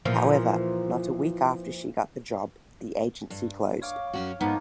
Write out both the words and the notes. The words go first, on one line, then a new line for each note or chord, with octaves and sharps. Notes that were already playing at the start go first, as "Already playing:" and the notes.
However, not a week after she got the job, the agency closed.
A#2 E3 F3
G2
C#5 F5 D6
F#2 C#4 F#4
G#2 F3 A#3 B3 D#4